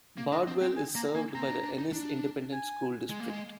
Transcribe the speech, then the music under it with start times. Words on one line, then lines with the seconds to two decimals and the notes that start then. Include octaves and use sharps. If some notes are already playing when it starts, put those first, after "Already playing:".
Bardwell is served by the Ennis Independent School District.
0.18 A#3
0.32 D4 D#5
0.48 C4
0.61 C4 G5
0.76 G#5
0.95 A#3 A#5
1.15 A#3 G#5
1.35 C4 A#5
1.49 D4
1.64 D4
1.79 D#4
1.93 D4
2.52 G#5
3.10 G#3
3.20 A#3
3.29 G#3